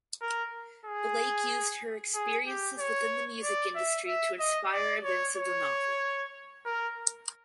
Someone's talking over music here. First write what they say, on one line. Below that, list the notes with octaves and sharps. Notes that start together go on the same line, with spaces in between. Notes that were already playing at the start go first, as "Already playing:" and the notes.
Blake used her experiences within the music industry to inspire events of the novel.
A#4
G#4
G#4
G4
C#5
D5
E5
E5
D#5
D5
C#5
C#5
A#4